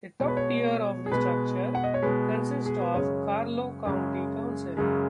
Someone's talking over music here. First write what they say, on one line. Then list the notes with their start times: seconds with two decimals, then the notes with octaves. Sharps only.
The top tier of the structure consists of Carlow County Council.
0.20 B2 G#3 C#5
0.28 B4
0.37 C#5
1.06 G#4
1.12 B2 G#3 B4
1.75 F#5
1.84 D#5
1.94 C#5
2.02 B2 G#3 B4
2.66 G#4
2.81 B4
2.94 F#2 C#3 G#3 C#5
3.86 F#2 C#3 G#3
4.77 F#2 C#3 G#3